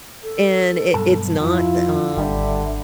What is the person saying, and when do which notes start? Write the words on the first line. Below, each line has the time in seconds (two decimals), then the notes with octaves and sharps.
and it it's not, uh,
0.23 A4
0.93 B1 G2 A5
1.40 F2 E4 F4
2.17 G#1 D3 G3 E5